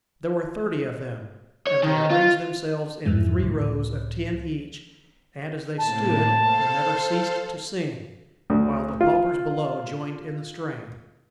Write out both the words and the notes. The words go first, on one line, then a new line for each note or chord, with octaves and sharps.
There were thirty of them and they arranged themselves in three rows of ten each, and as they stood they never ceased to sing, while the paupers below joined in the strain.
C#5
D#3
F4
F2 G#2 E3 G#3
C#2 A2
A2 C3 A#3 A5
A4 C5 F5
D2
F4